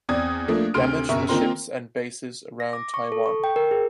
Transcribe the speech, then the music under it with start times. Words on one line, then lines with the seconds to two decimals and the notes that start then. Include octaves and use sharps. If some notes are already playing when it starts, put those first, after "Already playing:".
Damage to ships and bases around Taiwan.
0.09 E2 C4 D5 D#6 G#6
0.48 F3 A3 A#3 D4
0.74 D2 C3 C6 F6 D7
1.09 F#1 B2 A#4 E5 C#6
1.29 D#3 A#3 C4 F4 A#4 C6
2.60 A#6
2.73 D6
2.94 C#6
3.12 A4
3.26 C#6
3.44 G5
3.56 A#4
3.71 G#4